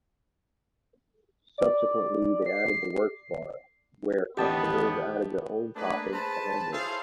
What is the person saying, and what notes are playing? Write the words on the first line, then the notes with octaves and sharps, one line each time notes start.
Subsequently, they added the Works Bar, where customers added their own toppings to hamburgers.
D5
C7
A1 D#2 B3 G4 F#5 A5 D#6
A3 A#3 D4 G#4 B4
G#4 B4 C5 A5
E4 G#4 A4 C5 C#5 F5